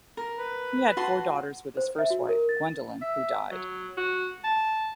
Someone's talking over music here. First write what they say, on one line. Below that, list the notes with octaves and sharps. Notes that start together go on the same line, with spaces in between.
He had four daughters with his first wife, Gwendolyn, who died.
A#4
B4
F#4 A5 C6
C5
E5
F#4
A#4
A6
E5
F#3
F#4
A5